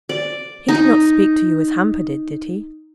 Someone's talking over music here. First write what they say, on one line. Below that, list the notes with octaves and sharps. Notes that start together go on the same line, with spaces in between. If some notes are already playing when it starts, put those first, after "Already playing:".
He did not speak to you as Hamper did, did he?'
D5
D#4